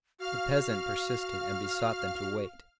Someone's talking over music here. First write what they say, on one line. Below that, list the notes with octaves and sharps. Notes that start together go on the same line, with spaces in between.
The peasant persisted and besought them to wait.
F#4 F5 F6